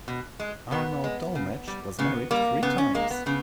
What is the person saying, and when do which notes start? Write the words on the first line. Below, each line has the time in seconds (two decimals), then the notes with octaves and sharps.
Arnold Dolmetsch was married three times.
0.08 B2
0.40 G#3
0.71 B2 B3
1.04 G#3
1.35 C#3
1.67 G3
1.99 C#3 B3
2.31 G3 A#3
2.63 C#3 B3
2.78 C#4
2.94 G#3 A#3
3.10 B3
3.26 C#3 B3